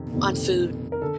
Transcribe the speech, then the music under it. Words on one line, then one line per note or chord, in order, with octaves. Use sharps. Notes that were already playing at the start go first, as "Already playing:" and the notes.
On food.
Already playing: F2 C3 D#3
F2 C3 D#3 A3
A#4
D3 A4